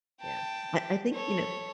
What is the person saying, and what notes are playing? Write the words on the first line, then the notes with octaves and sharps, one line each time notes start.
yeah, I I think, you know,
G5 A5
A4 C#5